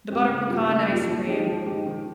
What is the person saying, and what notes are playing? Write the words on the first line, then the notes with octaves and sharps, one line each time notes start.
the butter pecan ice cream.
C4 G4
C#3
G3 A#3 F4
C#3
G3 A#3 F4
F3
G#3 D#4 G4
F3
G#3 D#4 G4
D#3